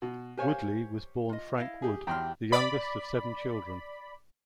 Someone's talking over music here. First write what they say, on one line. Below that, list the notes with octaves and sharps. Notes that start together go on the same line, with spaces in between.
Woodley was born Frank Wood, the youngest of seven children.
B2
G4 A#4 C5 C#5 F5 G#5
F4 D#5
E4 D#5 F5
G4 G#4
E2 F#4 G4 G5 C6 F6
D5 B5